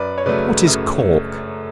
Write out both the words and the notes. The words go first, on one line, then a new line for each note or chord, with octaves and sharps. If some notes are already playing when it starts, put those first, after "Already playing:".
What is Cork?
Already playing: F#2 B4 D5
C#5
C#3 F#3 A3 B4 D5
F#2